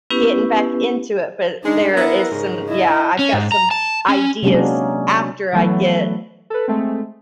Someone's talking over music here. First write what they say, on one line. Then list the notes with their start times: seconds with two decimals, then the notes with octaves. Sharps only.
getting back into it, but there is some yeah, I've got some ideas after I get
0.10 B3 C#4 E4 G4 B4
1.63 G#3 D4 D#4
1.94 B3 E4 A#4
2.31 G#2 C#3
2.68 E4 D#5
3.19 C#4
3.33 G#2
3.52 A#5
3.71 A5
4.08 C#4
4.43 C3 F#3 G#3 A#3 C#4 D4
5.53 E3 F#3 A3 B3
6.50 A4 B4
6.68 G#3 A3 C4